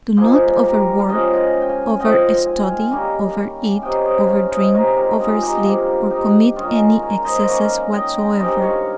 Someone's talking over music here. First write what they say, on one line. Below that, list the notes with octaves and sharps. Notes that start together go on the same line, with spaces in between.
Do not over-work, over-study, over-eat, over-drink, over-sleep, or commit any excess whatsoever.
G#2 F3 A#3 G#4 C5
G4 A#4
F5
C#3 F3 G#3 C#4 D#5 G5
G#5
G5
F5 G#5
G#2 F3 C4 D#5 G5
G#5
F5 G#5
D#3 G3 A#3 C#4
C3 D#3 A#3 C#4 D#5 G5
C#5
C5 D#5
C#5 F5
C5 D#5
C3 D#3 G#3 A#4 C#5
G4 A#4
A#4
F4 G#4
D#4 G4
G2 F3 A#3 F4
D#4 G4
D#3 G#3 C#4 F4 G#4
A#4 C#5
C5 D#5
D#3 A#3 C#4 C#5 F5
D#5 G5
G2 D#3 G#3 C4 D#5 G5
C#5 F5